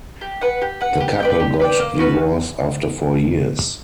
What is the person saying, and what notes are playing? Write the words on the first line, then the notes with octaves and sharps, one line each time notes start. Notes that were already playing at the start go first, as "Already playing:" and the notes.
The couple got divorced after four years.
G4
B4 F#5
G4
B4 F#5
G4
B4 D5 G5
G4
B4 D5 G5
A#3
C#4 F#4 B4